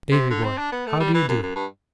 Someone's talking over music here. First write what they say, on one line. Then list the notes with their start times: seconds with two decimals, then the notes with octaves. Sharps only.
Davy boy, how do you do?'
0.11 C3
0.30 D3
0.44 C4
0.58 D4
0.72 B3
0.87 A3
1.00 G3
1.14 E3
1.28 F#2
1.43 F#2
1.56 G2